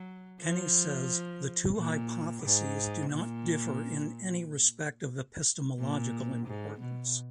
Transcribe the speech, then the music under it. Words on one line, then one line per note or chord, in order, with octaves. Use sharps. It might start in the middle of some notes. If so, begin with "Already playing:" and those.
Kenny says, the two hypotheses do not differ in any respect of epistemological importance...
Already playing: F#3
F3
A#2
G#2
A#2
A#2
G#2
B2